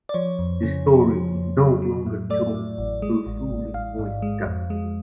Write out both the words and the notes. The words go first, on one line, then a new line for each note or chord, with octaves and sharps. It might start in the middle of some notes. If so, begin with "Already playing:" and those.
The story is no longer told through fully voiced cutscenes.
D5
F3 C#5
F2
C#3
F3
F3
F2
F#3
F#3
A2
A3 D5
A2
A1
G#3
A1
A1
A1 F5
G#2
G#3
F2
G#3